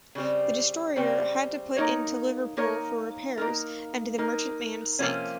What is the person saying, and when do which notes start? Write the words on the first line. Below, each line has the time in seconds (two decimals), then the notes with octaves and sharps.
The destroyer had to put into Liverpool for repairs and the merchantman sank.
0.15 C#3 G3 C4
0.96 C#3 G3 C4
1.76 A#3 D#4 A#4 C#5
2.57 A#3 D#4 A#4 C#5
3.38 A#3 D#4 A#4
4.18 A#3 D#4 A#4
4.99 C3 F3 A#3 C#4